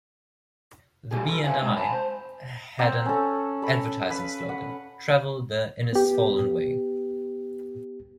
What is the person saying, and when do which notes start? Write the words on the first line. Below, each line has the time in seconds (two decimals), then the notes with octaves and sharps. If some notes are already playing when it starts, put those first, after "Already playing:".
The B and I had an advertising slogan: "Travel the Innisfallen Way".
1.11 G3 A3 F4 G4 G#4
1.27 A4 B4
1.44 A4 B4 C5 E5 F5 G#5
1.62 G2 D3 G#3 A3 C4
1.76 G#5 A5 B5
1.92 C5
2.79 C4 F#5 A#5 E6
3.06 C#4 A4
3.62 A4 B5
4.10 B4 F5
4.49 F#5
5.93 B3 G4